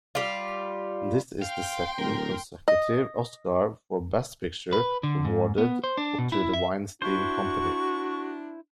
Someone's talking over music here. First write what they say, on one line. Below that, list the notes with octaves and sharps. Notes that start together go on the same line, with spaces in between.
This is the second consecutive Oscar for Best Picture awarded to the Weinstein Company.
G3 F4
F5 G5 C6
D1 A#4
D#5
B4
D3
G#2
B3
C5
D4
B2
E4
E5
D4 E4 F#4 C5 C#6